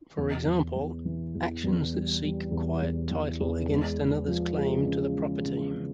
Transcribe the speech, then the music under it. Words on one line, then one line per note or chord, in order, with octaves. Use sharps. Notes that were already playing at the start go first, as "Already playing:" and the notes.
For example, actions that seek quiet title against another's claim to the property.
E2
E2
E2
E3
E2
E2
G3
G3
E2
E2
E3
E2
G#3
G#3
F3
G#3
C#3
G#3
C#3
C#3